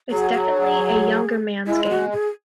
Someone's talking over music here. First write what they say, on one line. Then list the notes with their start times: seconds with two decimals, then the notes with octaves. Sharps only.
It's definitely a younger man's game.
0.10 F#3 G#4
0.33 G#4
0.45 A4
0.57 G#4
1.67 G#3 E4
1.85 E4
1.90 F#4
2.12 G#4